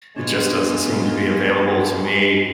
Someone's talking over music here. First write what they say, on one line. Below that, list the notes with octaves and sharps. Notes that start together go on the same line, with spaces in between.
it just doesn't seem to be available to me
G#3 B3 D4 F4 B4 C#5